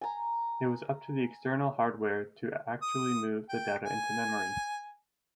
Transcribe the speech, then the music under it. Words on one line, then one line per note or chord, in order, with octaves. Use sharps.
It was up to the external hardware to actually move the data into memory.
G#5 A#5
D#6
G5
G#5